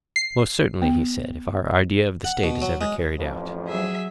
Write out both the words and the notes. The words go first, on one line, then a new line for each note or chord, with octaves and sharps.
Most certainly, he said, if our idea of the State is ever carried out.
C7
B3
F#5
B2
F#3
G#3
A1 F2 F3
F#3 G#4 E5